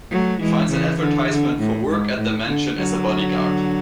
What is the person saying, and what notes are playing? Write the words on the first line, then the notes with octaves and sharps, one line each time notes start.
He finds an advertisement for work at the Mansion as a body guard.
F#3 A3
E3 G#3
C#3 E3
D3
D3
A2
G#2
A2
D3
D3 F#3